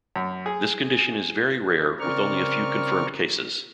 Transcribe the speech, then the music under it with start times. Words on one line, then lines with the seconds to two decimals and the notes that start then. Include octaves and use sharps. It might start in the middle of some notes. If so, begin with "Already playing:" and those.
This condition is very rare with only a few confirmed cases.
0.16 F#2
0.46 G#4
2.00 C#3 C4 A#4 D5 C#6 F6